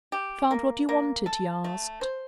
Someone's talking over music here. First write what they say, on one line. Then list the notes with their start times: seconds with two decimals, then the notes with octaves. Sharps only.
"Found what you wanted?" he asked.
0.12 G4
0.51 A#3
0.89 A#3
1.26 A4
1.64 A3
2.01 C5